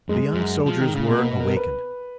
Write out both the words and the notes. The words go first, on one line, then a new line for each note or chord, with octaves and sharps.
The young soldiers were awakened.
F#2 G#3
F#2
F3
D#3
C#3
B2 A#3
B3
A#4
B4